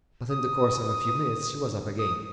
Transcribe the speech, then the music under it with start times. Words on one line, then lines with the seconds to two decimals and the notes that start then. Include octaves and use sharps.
But in the course of a few minutes she was up again.
0.30 D#6
1.99 D#6